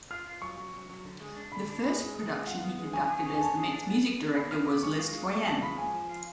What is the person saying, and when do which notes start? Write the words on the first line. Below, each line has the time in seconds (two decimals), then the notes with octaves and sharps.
The first production he conducted as the Met's music director was "Les Troyens".
0.11 F4 F6
0.26 F4
0.41 F#3 C#6
0.58 F#3
0.73 F#3
0.89 F#3
1.04 D3
1.20 G#3
1.36 D4
1.52 D3 B5
1.68 D4
1.83 G#3 B5
1.99 G#3
2.15 G#3
2.31 G#3
2.47 F4 F#5
2.63 B3
2.78 G#3
2.93 C#5 G#5
3.10 G#4
3.26 C#5
3.34 G#5
3.41 C#5 A5
3.57 G#4
3.72 D4
3.88 B3
4.04 B3
4.20 D4
4.35 B3 B5
4.51 F4 F6
4.67 B3 D6
4.83 G#3 C#6
4.99 F4
5.14 G#3
5.30 B3 C#6
5.45 F4 A5
5.62 G#3 B5
5.78 F3 G#5
5.93 F3
6.09 F4